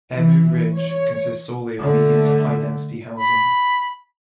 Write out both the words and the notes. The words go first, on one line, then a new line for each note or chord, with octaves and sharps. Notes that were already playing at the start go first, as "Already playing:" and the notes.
Emu Ridge consists solely of medium to high-density housing.
E3
C#5
D3 A3
B5